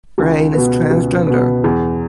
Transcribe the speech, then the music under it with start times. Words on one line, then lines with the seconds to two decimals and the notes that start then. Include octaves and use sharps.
Raine is transgender.
0.18 C#2
0.54 B2 B3
0.90 C#2
1.27 B2 B3
1.64 E2